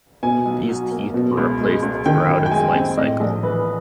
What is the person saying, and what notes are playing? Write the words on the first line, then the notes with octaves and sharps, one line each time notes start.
These teeth were replaced throughout its life cycle.
B2 G#5
B1
F#3
A#3
B2
C#2
G#3
C#2
D#3 G5
F#2
G5
G#3 G#5
C4
A2 D#5
A#1
E3 B4